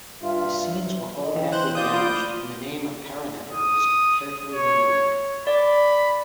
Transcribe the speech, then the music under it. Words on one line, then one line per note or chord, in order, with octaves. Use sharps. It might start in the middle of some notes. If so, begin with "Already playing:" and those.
The scenes were all badly damaged and the name of Parennefer was carefully removed.
G2 F4 E5
D#5
E3 G5
C5 F#6
A#3 C5 D5 D#6 G6
F4 B5 F6 D7
A3
D#6
C#5
D5 B5 D6